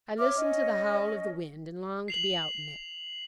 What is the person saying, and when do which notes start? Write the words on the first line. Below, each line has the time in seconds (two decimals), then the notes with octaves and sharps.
I listened to the howl of the wind, and longed to be out in it.
0.17 C#5 E5 D6 F6
0.36 C#4 D#5
2.08 C7 F7 F#7